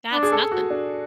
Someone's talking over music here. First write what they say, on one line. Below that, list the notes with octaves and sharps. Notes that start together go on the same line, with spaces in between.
That's nothing.
D4
G#4
A4
F#4
D4